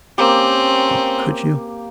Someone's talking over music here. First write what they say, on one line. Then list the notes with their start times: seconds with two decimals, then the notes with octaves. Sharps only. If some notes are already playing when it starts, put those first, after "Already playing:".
How could you?
0.18 A#3 C4 C#4 G4